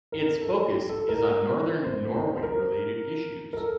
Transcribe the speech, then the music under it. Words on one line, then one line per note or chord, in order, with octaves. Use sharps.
Its focus is on Northern Norway-related issues.
A#4
A4
G4
A4
A#4
C5
C5
C5
A#4
A#4
A4